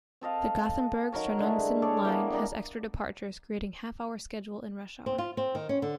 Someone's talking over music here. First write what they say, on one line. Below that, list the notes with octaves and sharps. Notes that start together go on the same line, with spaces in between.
The Gothenburg-Stenungsund line has extra departures creating half-hour schedule in rush hour.
C4 A4 D#5 F5
D#3 F#3 A#4 C#5
D3 G#3 A3 E4
G#4 A4 C#5 D5
E3 A#3 B3
G3 D4 A#4 D#5
C4
F4
C4
D#3
C#4
D3